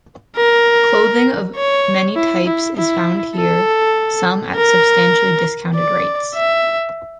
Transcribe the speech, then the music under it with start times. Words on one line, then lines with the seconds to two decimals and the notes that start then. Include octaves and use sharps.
Clothing of many types is found here, some at substantially discounted rates.
0.37 A#4
1.56 C#5
2.16 E4
2.47 E4
2.77 E4
3.37 A4
4.56 A#4
5.76 D5
6.35 E5